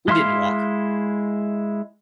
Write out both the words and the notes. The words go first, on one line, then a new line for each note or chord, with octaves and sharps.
We didn't walk.
G#3 E4 F5 C6 F6